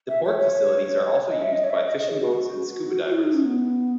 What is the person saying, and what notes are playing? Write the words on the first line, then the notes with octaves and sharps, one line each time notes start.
The port facilities are also used by fishing boats and scuba divers.
E5
C#5
C#5
D#5
E5
D#5
C#5
E5
D#5
D#5
D#5
G#4
F#4
F#4
E4
D#4
C#4
B3